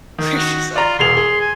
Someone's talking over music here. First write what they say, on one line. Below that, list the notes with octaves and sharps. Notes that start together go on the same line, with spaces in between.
Where she's, like
D#3
F#4
F4 D5 A#5
E1 G#4 C6 F7
G#4
G#5